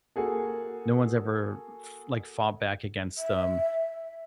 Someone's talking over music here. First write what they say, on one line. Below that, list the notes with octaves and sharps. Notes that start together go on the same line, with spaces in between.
no one's ever f like, fought back against them,
A#3 F#4 G#4 A4
E5